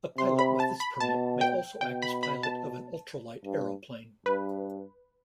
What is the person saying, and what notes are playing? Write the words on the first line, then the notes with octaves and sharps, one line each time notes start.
A pilot with this permit may also act as pilot of an ultra-light aeroplane.
C3 C6
B5
A5
B5
B2 A5
G5
B2 G5
B5
B5
A5
G2
G2 B4